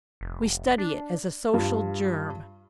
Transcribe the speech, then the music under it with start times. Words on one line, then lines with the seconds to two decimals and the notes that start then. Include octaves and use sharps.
"We study it as a Social Germ."
0.21 F1
0.78 D4
1.54 G2 F4